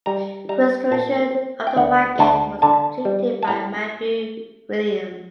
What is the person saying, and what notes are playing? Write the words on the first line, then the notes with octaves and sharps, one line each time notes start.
Restoration of the wagon was completed by Matthew Williams.
G3 A#5
G3 A#5
A#2 A5
C4
G5
D2 F#5
D2 A5
D3 A5
G3
A5
A2 A#5